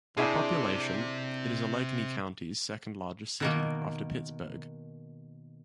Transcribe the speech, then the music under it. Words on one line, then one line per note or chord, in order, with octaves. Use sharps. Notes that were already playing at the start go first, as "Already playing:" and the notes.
By population, it is Allegheny County's second-largest city, after Pittsburgh.
C3 D4 E4 G#4
B2 D#3 A#3